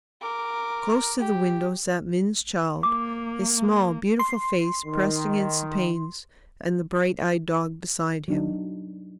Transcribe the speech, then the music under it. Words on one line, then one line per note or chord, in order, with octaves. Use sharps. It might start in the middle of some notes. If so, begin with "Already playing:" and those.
Close to the window sat Min's child, his small, beautiful face pressed against the panes, and the bright-eyed dog beside him.
A#4 D6
G4
A#3 D6
C6
D#3
F#3 D4 D#4